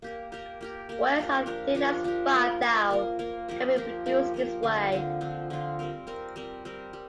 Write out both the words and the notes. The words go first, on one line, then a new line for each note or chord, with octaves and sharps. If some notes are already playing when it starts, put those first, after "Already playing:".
Wires as thin as five thou can be produced this way.
A#3 G4 A#4
A#3 G4 A#4
A#3 G4 A#4
A#3 G4 A#4
F3 D4 G4 A#4
F3 D4 G4 A#4
F3 D4 G4 A#4
F3 D4 G4 A#4
A#3 F4 A#4
A#3 F4 A#4
A#3 F4 A#4
A#3 F4 A#4
F3 A#3 G4 A#4
F3 A#3 G4 A#4
F3 A#3 G4 A#4
F3 A#3 G4 A#4
D3 F3 C4 F4
D3 F3 C4 F4
D3 F3 C4 F4
D3 F3 C4 F4
G3 C4 A#4
G3 C4 A#4
G3 C4 A#4
G3 C4 A#4
G3